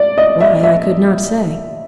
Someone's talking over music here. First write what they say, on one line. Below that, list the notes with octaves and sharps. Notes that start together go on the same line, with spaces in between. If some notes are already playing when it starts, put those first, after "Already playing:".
Why, I could not say.
Already playing: D5
D#5
E5
E5